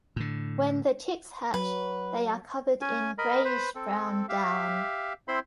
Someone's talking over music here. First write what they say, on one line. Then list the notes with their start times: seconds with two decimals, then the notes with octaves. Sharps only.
When the chicks hatch, they are covered in greyish-brown down.
0.16 A2 D3
1.54 F#3 B4
2.81 C#4 G#5
3.18 A#4 D#5 B5
3.44 B4 C5 B5
3.75 C4 A4
4.29 G4 E5 F5
5.28 C4 E4 C5 B5 C6